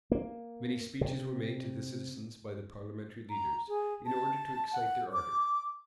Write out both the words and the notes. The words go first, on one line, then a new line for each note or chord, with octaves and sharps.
Many speeches were made to the citizens by the parliamentary leaders, in order to excite their ardor.
A#3
C3
A#5
G#4
A5
F#5
D6